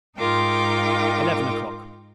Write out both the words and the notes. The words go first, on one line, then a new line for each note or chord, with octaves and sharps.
Eleven o'Clock.
G#2 D#4 F4 A#4 G5 D6